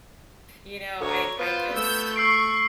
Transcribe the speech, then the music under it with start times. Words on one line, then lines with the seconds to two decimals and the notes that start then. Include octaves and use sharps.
You know, I'd I just
1.01 D2 C#5 A#5
1.39 B3 F4 C5
1.73 A3 E6 G6
2.16 C#6 E6 C7 D7